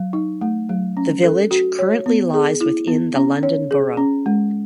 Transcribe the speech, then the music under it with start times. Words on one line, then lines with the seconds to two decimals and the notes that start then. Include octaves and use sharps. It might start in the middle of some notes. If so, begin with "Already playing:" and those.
The village currently lies within the London Borough.
Already playing: F#3
0.13 D#4
0.41 A3
0.69 F#3
0.97 C#4
1.23 A4
1.51 F#4
1.79 C#5
2.06 B3
2.34 G#4
2.61 E4
2.88 B3
3.16 C#4
3.43 C#5
3.71 G#4
3.97 C#4
4.26 G#3